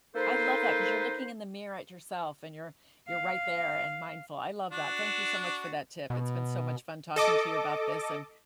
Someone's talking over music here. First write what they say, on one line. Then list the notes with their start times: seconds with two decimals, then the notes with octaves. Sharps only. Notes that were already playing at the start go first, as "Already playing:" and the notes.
I love that 'cause you're looking in the mirror at yourself and you're you're right there and mindful, I love that, thank you so much for that tip. It's been so much fun talking to you about this and
0.15 A#3 D#4 A4 B4 C5
3.08 F5
4.72 D4 F#4
6.10 B2
7.16 A4 D#5 D6